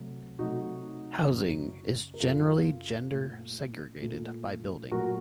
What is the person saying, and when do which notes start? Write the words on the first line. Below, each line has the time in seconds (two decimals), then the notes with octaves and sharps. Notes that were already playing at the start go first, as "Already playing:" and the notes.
Housing is generally gender-segregated by building.
Already playing: C3 F#3 A3
0.39 C3 F#3 A3 D#4 F#4
1.29 F#2 C#3 F#3
2.14 A#4
2.20 F#2 C#3 F#3 F4 A4
3.10 A#2 A3
4.01 A#2 A3
4.91 A#2 F#3 A3 F#4 A#4